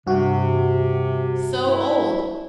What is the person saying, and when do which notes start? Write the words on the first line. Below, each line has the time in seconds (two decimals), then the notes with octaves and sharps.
So old!
0.07 G2 C3 F#4
1.66 E4